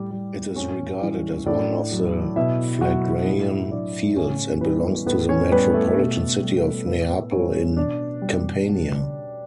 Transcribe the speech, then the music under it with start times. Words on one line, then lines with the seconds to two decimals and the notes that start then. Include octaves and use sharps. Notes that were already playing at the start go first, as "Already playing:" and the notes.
It is regarded as one of the Phlegraean Fields and belongs to the metropolitan city of Neapel in Campania.
Already playing: A2 G3 G4
0.11 G3
0.56 A2 C#4 C#5
1.02 E3 G3
1.46 A2 D4 D5
1.92 F#3
2.36 B2 E4 E5
2.81 F#3 F#4 F#5
3.26 A2 E4 E5
3.71 F#3 D4 D5
4.16 A2 C#4 C#5
4.61 E3 G3 B3 B4
5.06 A2 B3 B4
5.29 C#4 C#5
5.52 G3 B3 B4
5.74 A3 A4
5.97 B2
6.42 G3
6.86 A2 B3 B4
7.31 E3 G3 C#4 C#5
7.77 B2 D4 D5
8.22 G3